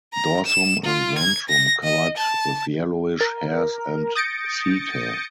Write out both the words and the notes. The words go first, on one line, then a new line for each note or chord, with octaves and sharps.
Dorsum and ventrum covered with yellowish hairs and setae.
A#5
E7
F4
G#6
A#6
D#5
A5
A#4
D#6 G6 A6 A#6 C#7 D7